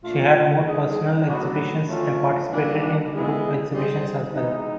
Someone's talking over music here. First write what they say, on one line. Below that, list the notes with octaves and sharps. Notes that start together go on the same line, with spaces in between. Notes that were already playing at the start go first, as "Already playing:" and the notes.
She had made personal exhibitions and participated in group exhibitions as well.
A#2 F3 A3 D4 F4
G3 C4 D#4 G#4
A2 F#3 B3 D4 F#4
D3 F3 A3 C#4 F4
E3 G3 A#3 D4 F#4
G#3 B3 E4 G#4
G3 C4 D#4 G#4
E3 G#3 B3 D#4